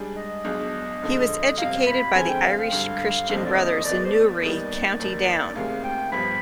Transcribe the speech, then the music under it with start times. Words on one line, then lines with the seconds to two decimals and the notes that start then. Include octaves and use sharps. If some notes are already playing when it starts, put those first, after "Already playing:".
He was educated by the Irish Christian Brothers in Newry, County Down.
Already playing: G#2 G3 D4 G#4
0.16 D#5
0.45 B1 B2 G#3 D4
1.02 F1 F2 D3 F3 G#3
1.58 G1 F2 C3 F5
1.87 B5
2.15 D3 F3 G#3 C4 F4 G#5
2.29 G5
2.44 F5
2.57 F5
2.71 G#1 G2 D3
3.29 F1 D#2 D3 F3 C4 F5
3.37 D#5
3.45 D5
3.53 D#5
3.85 D#2 D#3 G#3 B3 D5
4.04 C5
4.13 D5
4.42 D#2 D#3 G3 B3 D#4
4.99 F1 D#2 D#3
5.56 D2 C3 D#3 G#3 F5
5.84 G5
6.12 G1 G2 F3 B3 B5